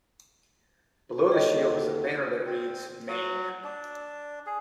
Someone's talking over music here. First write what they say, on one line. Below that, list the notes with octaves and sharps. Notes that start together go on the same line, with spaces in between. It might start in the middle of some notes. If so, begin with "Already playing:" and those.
Below the shield is a banner that reads "Maine".
C3
D#2 D3 C#5 D#5 G5
C4
F#3
D4
G#4